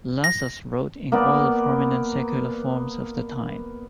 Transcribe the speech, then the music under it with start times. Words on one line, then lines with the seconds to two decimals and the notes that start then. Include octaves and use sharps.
Lassus wrote in all the prominent secular forms of the time.
0.24 A#6
1.12 A#3 B3 D5